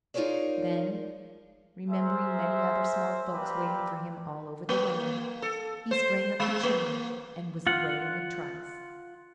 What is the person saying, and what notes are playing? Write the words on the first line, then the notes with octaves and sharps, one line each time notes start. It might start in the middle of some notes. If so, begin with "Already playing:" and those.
Then, remembering many other small folks waiting for him all over the land, he sprang up the chimney and was away in a trice.
D#4 F4 G#4 A#4 C#5 D5
G#4 A#4 C5 E5
A#3 C4 D4 G4 B4
A#3
A4
C5
G#3
A#3
F4 F#5